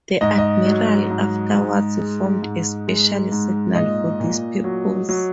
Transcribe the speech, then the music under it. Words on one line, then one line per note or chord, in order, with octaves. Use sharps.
The admiral afterwards formed a special signal for this purpose.
G#2 D#5
D#5
F#3
G#2
G#2
G#3
G#2
G#3
G#2
A#2 D#5
A#2
F#3
F#3